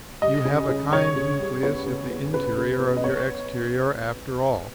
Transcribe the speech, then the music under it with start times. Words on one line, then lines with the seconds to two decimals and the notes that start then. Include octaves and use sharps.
You have a kind nucleus at the interior of your exterior after all.
0.22 G3 D#5
0.45 C#3
0.69 C#3
0.92 C#3 C#5
1.16 C#3
1.40 G3
1.63 B3 C#5
1.86 C#3
2.10 B3
2.33 C#3 B4
2.57 C#3
2.80 B3
2.97 D#5
3.04 B3 C#5